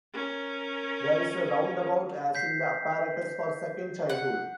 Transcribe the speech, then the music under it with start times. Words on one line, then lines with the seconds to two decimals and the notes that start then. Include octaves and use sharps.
There is a roundabout as in the apparatus for second childhood.
0.14 C#4 A#4
2.35 G6 B6 C7
4.10 F#5